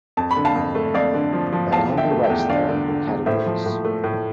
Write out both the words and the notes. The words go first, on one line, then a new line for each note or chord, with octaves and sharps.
They only race their own categories.
F2 A5
B5
D3
F5 A5
F2
A3
F2 D5 F5
D3
F3
F3
E2 F5 A5
D3
E5 G5
A3
E5 G5
E2
G5
D3 D5 F5
D3
D3
E2
A2 C5 E5
F3
A2
A3
A2